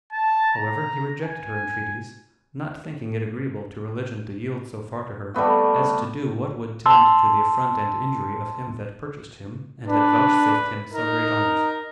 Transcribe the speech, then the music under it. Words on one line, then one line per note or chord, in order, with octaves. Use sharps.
However, he rejected her entreaties, not thinking it agreeable to religion to yield so far to her, as to do what would tend to the affront and injury of him that purchased him, and had vouchsafed him so great honors.
A5
A#5
G#5
G3 A3 B3 F#4
A5 C6 E6
D4 B4
D#4 A#4